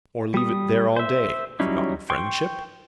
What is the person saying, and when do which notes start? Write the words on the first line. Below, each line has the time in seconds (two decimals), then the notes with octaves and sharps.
Or leave it there all day, forgotten friendship?
0.34 G3 D#6
0.96 C5 E5
1.60 F#3 G3 C#4 D#4 E4
2.10 G5 C6 C#6